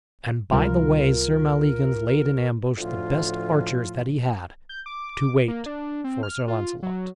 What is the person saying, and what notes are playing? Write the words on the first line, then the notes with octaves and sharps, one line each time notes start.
And by the way Sir Maleagans laid in ambush the best archers that he had to wait for Sir Launcelot.
C#2 C3 G3 F4 A#4
D2 A2 F3 F4
G6
D6
A#3
D4
C4
F6
F4
F#3